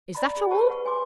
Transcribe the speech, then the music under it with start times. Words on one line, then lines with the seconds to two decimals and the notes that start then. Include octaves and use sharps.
'Is that all!
0.15 D5 D#5 A#5 B5
0.33 G#4 B5
0.51 G4 C5 C#5 A5 B5 C#6
0.69 B4 F#5 C#6
0.85 C#5 G#5 C6 D6